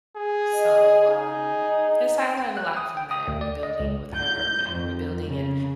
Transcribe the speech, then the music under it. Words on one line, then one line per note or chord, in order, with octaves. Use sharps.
So, um, yes, I learned a lot from that, rebuilding with her, uh, rebuilding and
G#4
D#5
D#4 G#4
G5
F#6
D#6
G5
D#6
D2
D5
D#5
C#2
G6
F2
C#3